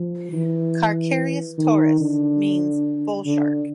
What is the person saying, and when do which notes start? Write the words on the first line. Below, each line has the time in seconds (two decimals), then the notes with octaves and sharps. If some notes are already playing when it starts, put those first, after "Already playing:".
"Carcharias taurus" means "bull shark".
Already playing: F3
0.33 E3
1.58 D#3
2.00 D3
3.26 D3